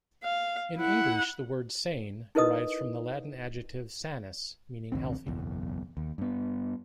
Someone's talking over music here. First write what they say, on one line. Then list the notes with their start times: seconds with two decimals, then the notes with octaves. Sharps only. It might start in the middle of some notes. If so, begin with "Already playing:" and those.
In English, the word "sane" derives from the Latin adjective "sanus" meaning "healthy".
0.23 F5
0.77 E4 F#5
2.35 D#4 E4 A#4 B4 D#5 D#6
4.92 A1 D2 C4
5.27 F#1 B1 E2
5.97 D#2
6.18 G2 B3